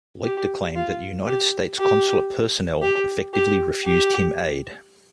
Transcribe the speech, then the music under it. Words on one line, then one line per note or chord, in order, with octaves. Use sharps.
Leuchter claimed that United States consulate personnel effectively refused him aid.
G4
F4
G4
G4
G4
G4
G4